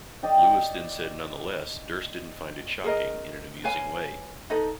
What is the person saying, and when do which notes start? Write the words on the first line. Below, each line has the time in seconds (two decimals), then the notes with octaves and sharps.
Lewis then said nonetheless, Durst didn't find it shocking in an amusing way.
0.23 D5 D#5 G5
2.84 G#4 A#4 D#5
3.64 B4 C#5 F5 G#5
4.50 D#4 A4 B4 D#5